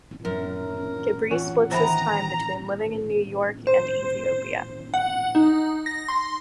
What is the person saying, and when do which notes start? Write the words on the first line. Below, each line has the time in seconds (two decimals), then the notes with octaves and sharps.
Gebre splits his time between living in New York and Ethiopia.
0.25 F#2 A#4
1.31 E3 F4 F#5 G#5
1.71 D#3 E3 C5 E5 A#5 B5
3.67 C5
4.94 F#5
5.35 D#4
5.86 A#6
6.08 C6